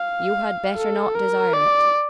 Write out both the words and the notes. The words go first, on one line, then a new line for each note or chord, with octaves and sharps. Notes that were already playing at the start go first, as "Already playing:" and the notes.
"You had better not desire it."
Already playing: F5
A4
A#4
D5